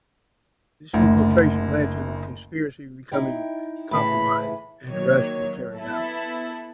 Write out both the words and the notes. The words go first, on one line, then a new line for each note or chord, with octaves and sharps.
This infiltration led to the conspiracy becoming compromised and arrests were carried out.
F#1 D2
D#4 E4 G5
A2 C#3 E3 B5
D#3 F#3 A#3 C#5
B3 E4 A4